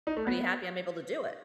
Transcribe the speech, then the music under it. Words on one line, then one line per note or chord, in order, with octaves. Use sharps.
I'm pretty happy I'm able to do it.
D#4
A3
B3